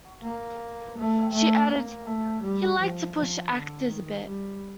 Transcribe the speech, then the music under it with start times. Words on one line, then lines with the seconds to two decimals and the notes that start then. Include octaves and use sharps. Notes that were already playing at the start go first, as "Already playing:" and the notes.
She added: "He liked to push actors a bit".
0.23 A#3
0.98 A3
1.33 A3
1.71 A#3
2.07 A3
2.43 G3
2.80 F3
3.17 F3
3.52 D3
3.89 D#3
4.26 G3